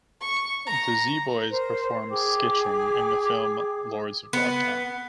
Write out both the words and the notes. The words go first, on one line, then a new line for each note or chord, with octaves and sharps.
The Z Boys perform skitching in the film "Lords of Dogtown".
C#6
A#5
A#4 C5
G#4 G5 D6
B3